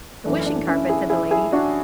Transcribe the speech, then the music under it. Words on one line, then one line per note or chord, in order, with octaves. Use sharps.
'The wishing carpet?' said the lady.
F#2 E3 A3 D4
D4
C#4 E4
E4 G#4
E4 G#4
E4 G#4
D4 F#4